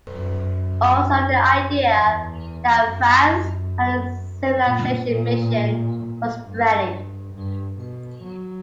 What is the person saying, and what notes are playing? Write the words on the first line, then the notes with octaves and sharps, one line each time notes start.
Also, the idea that France had a civilizing mission was spreading.
F#2
E2
F#2
A#2
A#2
A#2
G2
G2
B2
F#3